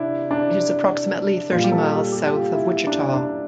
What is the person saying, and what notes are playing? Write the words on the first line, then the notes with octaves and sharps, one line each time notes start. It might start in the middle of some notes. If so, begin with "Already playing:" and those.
It is approximately thirty miles south of Wichita.
Already playing: C3 D4 E4
D4
A#2 G3 F4
G4
A4
G4
G4
G4
F4
E4
E4
D4
D4